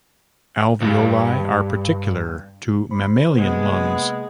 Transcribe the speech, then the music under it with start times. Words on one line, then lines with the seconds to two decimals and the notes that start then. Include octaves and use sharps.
Alveoli are particular to mammalian lungs.
0.81 C2 G2
2.91 C5 B5
3.36 C3 G#3 A#3 B3